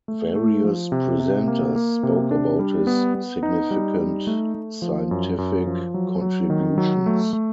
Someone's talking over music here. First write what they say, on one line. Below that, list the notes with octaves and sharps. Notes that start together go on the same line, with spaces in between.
Various presenters spoke about his significant scientific contributions.
A3
A3
F3
C3
C3
A#3
A#3
C3
D4
G3
B3
B3
D#4
G3
D#4
A3
A3
F3
F#2
F#2
F3
F#3
F#3
D#3
F#3
A3
A3